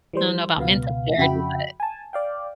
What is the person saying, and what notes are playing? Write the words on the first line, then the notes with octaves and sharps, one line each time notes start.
I don't know about mental clarity, but
E3 G3 C5
C#2 B2 B3 F5
F2 C#3 F#4 E5 G5 B5
G#5 A5
D5 F5 G5